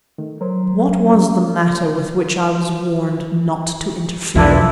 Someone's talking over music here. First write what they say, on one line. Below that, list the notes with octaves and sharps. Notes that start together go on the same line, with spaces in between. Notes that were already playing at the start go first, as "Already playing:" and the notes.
What was the matter with which I was warned not to interfere?
D#3 A3
F#3 A#4 C5
F3 C#4 F4
B1 E2 F3 D4 E4